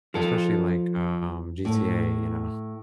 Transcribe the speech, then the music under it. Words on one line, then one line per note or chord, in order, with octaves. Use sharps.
especially like, um, GTA, you know,
F3 A4
A2